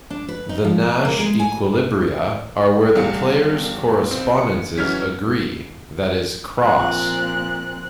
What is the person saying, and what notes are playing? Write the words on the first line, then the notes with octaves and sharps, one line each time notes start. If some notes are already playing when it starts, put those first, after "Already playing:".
The Nash equilibria are where the players' correspondences agree, that is, cross.
D4
B4
D#4
F3
A#3
G#3
G#5
E2 G3 F5 C#7
B1 C4
C#7
E3 F#3 C#4 F6 G#6 B6
A#2 F3 C4 F#6